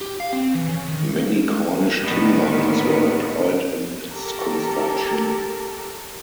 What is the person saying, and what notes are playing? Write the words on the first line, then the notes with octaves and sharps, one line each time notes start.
Many Cornish tin miners were employed in its construction.
G4
F5
C4
E3
C#3
D#3
A2 D3 D#3 B3 B4
G4 A4 A#4 A5